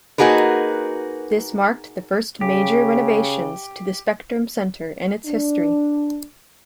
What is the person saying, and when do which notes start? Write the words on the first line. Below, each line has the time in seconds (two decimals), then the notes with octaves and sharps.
This marked the first major renovations to the Spectrum Center in its history.
0.18 A#3 D#4 F#4 G#4 A#4 B4
2.41 C#3 G4
5.26 D4